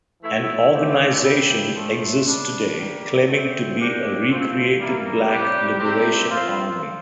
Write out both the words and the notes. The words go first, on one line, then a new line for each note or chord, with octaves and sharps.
An organization exists today claiming to be a recreated Black Liberation Army.
E3 A3 E4
E3 A3 C4 E4 G4
E3 A#3 E4 G4
A#2 F3 A3
C3 G3 D4
D3 G3 A#3
D3 A3 C4
F3 A#3 D4 G4
D3 A3 C4 F4
E3 G3 A#3 E4
C3 G3 D4 G4
C3 G3 C4 G4
F3 C4 F4